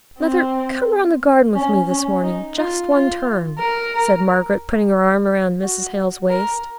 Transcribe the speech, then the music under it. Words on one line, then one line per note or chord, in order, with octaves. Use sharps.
'Mother, come round the garden with me this morning; just one turn,' said Margaret, putting her arm round Mrs. Hale's waist.
C4
C#4
C#4
D#4
F4
F4
A#4
F#4
A#4